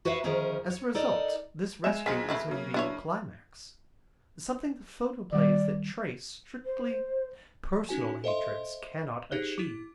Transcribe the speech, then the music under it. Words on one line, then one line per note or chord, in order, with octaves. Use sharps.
As a result this rescue is a real climax, something the photoplays that trace strictly personal hatreds cannot achieve.
F#4 B4 C#5 E5 F5
D2 D#3 F3 C#4 G#4 A#4
C#5
D#4 A4 A#4 D5 D#5
G#3 E5 G#5 E7
B1 D#3 F3 G#4 B6
E3 A3 E4
C#3 F#3 A#3
D4 E4 C#5
D#3 G3 D5
C5
C#4 D#4 F#4 G#5
A4 C5 D#5 E5 C6
D#4 G4 G#4 C5 F#6 G7
E4 D6